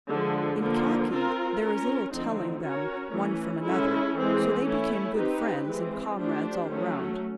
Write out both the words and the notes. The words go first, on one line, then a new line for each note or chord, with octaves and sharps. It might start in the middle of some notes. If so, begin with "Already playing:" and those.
In khaki there is little telling them one from another, so they became good friends and comrades all around.
D3 F3 G#3
D3 F3 A#3
C4 F4 A#4
C#4 F4 A#4
D3 F3 A3 C4 D#4
C#4 F#4 A#4 C#5
E3 A3 C#4
G#3 C#4 E4 A4
E3 G#3 C4
A3 C#4 E4
C4 D#4 G4 B4
E3 G#3 C4
F3 A3 D4 G4 C5
F#3 A3 C#4